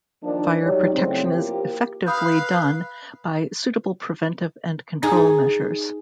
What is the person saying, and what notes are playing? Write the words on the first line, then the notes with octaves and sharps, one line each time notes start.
Fire protection is effectively done by suitable preventive and control measures.
D#3 F3 A#3 D4
F#3 G3 D#4 G4 C#5
A2 C#3 F#3 C4
F3 A#3 E4 G4
B4 F5 B5 D#6 G6
D#4 G#4